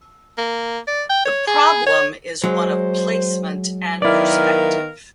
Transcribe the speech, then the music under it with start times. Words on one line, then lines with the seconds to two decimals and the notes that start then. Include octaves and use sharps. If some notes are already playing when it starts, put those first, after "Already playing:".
The problem is one of placement and perspective.
0.38 A#3
0.87 D5
1.10 G5
1.25 C#5
1.47 G#4
1.86 C#5
2.44 F#3 G#3 C5
4.02 D#3 B3 E4 A#4 D5 F5